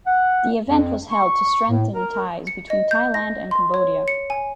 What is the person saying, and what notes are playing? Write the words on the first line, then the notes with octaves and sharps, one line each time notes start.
The event was held to strengthen ties between Thailand and Cambodia.
F#5
F2
C#6
A2
A#4
C#7
D#5
G6
A#6
C6
C#5
C#7
G#5